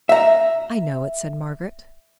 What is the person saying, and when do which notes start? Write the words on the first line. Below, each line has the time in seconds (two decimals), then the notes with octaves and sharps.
'I know it,' said Margaret.
0.09 E5 A#5